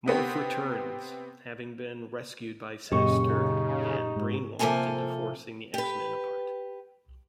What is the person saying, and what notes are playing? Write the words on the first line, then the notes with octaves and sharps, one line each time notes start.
Morph returns, having been rescued by Sinister and brainwashed into forcing the X-Men apart.
C3 B3 C4 G4
F#2 A#2 C#3 G4 D#5 C#6
D#4
G#2
C3 F3 F#3 A#3 A4 G#5
G4 B4